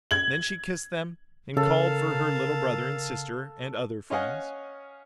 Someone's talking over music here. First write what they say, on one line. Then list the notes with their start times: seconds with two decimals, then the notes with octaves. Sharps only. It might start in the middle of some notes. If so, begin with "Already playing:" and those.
Then she kissed them and called for her little brother and sister and other friends.
0.11 G#6 F#7
1.57 C#3 A4 A#4 F5 A5
4.10 C#4 C#5 D#5 F5 F#5 G#5